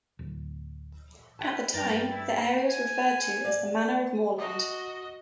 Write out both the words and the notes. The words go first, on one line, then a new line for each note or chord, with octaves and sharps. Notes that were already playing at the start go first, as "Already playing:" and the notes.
At the time, the area was referred to as the "Manor of Mooreland".
D1
C#4 E4 B4 E5 G5 A5
G2 A#4 C5 G5 A#5 A6
E4
G#5
D5 F5
F#4 D#5